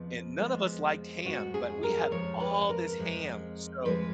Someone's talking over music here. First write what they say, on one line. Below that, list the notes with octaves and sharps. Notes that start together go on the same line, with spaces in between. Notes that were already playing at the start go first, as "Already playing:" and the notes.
and none of us liked ham, but we had all this ham, so,
Already playing: F2 F3 G#3 B3
F2 F3 G#3 B3
F2 F3 G#3 B3 F#4
G#4
A#4
F2 F3 G#3 C#5
B4
A#4
F2 F3 G#3
F2 F3 G#3 B4